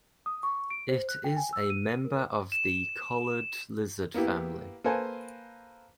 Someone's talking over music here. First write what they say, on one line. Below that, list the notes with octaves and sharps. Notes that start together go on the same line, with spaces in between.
It is a member of the collared lizard family.
D#6
C#6
D7
C5
F#6
G5
G#5
E6
D#7
A#4
E7
A#3 B3 E4 G4
A#3 A4 B4 C5 G#5